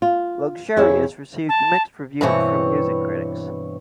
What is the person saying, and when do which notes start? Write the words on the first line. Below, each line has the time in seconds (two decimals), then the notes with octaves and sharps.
"Luxurious" received mixed reviews from music critics.
0.02 F4
0.76 F2 E4 G#4 C#5 E5
1.49 A5
2.21 G2 B2 E3 C4 C#5